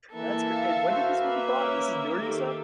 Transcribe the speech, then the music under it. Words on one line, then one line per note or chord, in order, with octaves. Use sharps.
that's cr and when did this movie come out? This is newer you said?
E3 A#3 A4 E5
F5
F#4 C5
A#3 B4 E5
C#4
D#3 G4 A4